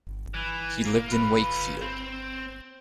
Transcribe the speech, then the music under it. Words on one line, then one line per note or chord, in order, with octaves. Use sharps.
He lived in Wakefield.
E3
A#3
F4 B4
C4